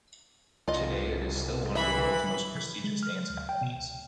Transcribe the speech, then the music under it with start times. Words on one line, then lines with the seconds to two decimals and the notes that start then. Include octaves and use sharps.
Today it is still one of the world’s most prestigious dance companies.
0.68 C2 F4 D#5
1.75 E3 E5 B5
2.84 G#3
3.03 F6
3.30 D2
3.49 G5
3.61 B2
3.75 C#2